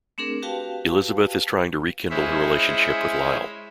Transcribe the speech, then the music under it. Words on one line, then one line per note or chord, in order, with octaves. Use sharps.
Elizabeth is trying to rekindle her relationship with Lyle.
A3 C4 D4 G#4 A#4
F#4 G4 B4 F5 G5 A5
G#3 C#4 E4 C5 C#5 E5